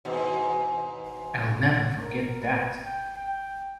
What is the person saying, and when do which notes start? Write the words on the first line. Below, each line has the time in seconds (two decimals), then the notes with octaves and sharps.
I'll never forget that.
0.05 D#2 G#2 B2
2.01 A#4
2.40 B4
2.85 G5
3.16 G5